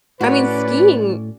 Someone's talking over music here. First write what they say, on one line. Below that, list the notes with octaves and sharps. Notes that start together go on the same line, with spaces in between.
I mean, skiing
A2 C#4 F#4 B4 C#5 D5